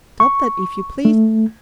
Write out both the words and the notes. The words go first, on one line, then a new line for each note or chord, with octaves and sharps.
Stop that if you please!
C#6
A3